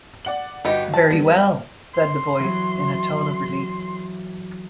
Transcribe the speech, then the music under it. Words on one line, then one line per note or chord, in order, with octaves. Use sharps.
"Very well," said the Voice, in a tone of relief.
D5 F#5 F#7
G1 B3 D#4 F#4 G4
A5
G3 B3
C6
E3 F#3